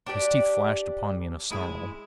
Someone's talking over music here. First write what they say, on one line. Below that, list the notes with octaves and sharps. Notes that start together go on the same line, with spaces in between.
His teeth flashed upon me in a snarl.
D4 G4 D5
G#3 E4 G#4